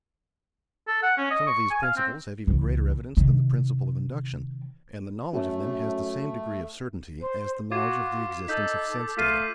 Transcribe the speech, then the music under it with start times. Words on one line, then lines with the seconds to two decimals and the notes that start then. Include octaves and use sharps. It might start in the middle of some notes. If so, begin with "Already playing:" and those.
Some of these principles have even greater evidence than the principle of induction, and the knowledge of them has the same degree of certainty as the knowledge of the existence of sense-data.
0.87 A4
1.03 F#5
1.18 C#4
1.31 D#5
1.47 C#6
1.70 G#5
1.83 F5
1.96 C4
2.47 C#2 E3
3.17 C3 D#3
5.33 F#2 A3
7.21 C5
7.72 F4 F#4 D6 G#6 C7
8.48 D#4 A4 E6 G6 B6
9.18 A3 F4 B6 D#7